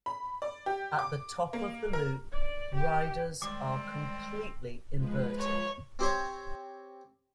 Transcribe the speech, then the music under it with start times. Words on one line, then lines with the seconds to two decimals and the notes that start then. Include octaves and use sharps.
At the top of the loop, riders are completely inverted.
0.06 B5
0.42 D5
0.66 G4
0.99 D6
1.53 A#3
1.93 A#4
2.33 D5
2.75 G4
3.42 D#3 G3 G#3 C4 D5 D6
4.95 F3 G#3 B4
5.39 C#5
5.99 C4 G4 C5 C#5